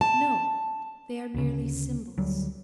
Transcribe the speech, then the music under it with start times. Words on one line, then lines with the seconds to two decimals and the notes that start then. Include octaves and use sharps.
No, they are merely symbols.
0.01 A5
1.34 D2 C#3
2.18 D2 F#3 G3